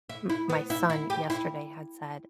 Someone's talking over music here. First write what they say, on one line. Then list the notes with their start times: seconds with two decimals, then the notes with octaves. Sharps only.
m my son yesterday had said
0.09 E4
0.29 E4
0.49 B3
0.70 E4
0.90 E4
1.10 G4
1.30 E4